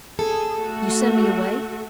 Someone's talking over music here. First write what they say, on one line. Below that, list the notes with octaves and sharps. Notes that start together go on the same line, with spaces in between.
"You send me away?"
G#4 A4
A3 F#4